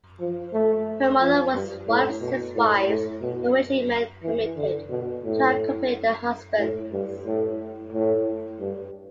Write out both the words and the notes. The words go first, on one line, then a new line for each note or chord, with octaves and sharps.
Her mother was one of six wives per regiment permitted to accompany their husbands.
F3
A3
F3
G2
A2
B2
A2
A2
B2
E3
D3
B2
A2
A2
G2
A2
A2
G2